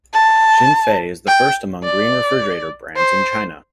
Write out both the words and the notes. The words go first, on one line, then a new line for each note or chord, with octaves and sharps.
Xinfei is the first among green refrigerator brands in China.
A5
G5
D5
C5